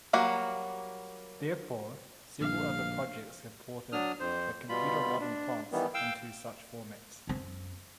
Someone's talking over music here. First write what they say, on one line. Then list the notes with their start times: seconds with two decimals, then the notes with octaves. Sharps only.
Therefore, several other projects have ported the Computer Modern fonts into such formats.
0.13 F#3 G3 A#3 F#4
2.41 A#1 G2 D3 F5
3.92 F#3 D4 D#6 F6
4.20 F2 C5
4.69 B2 G3 F4 B5
5.20 D4
5.72 D#3 E3 G3 B3
5.94 F5 G5 E6
7.27 F#2 C4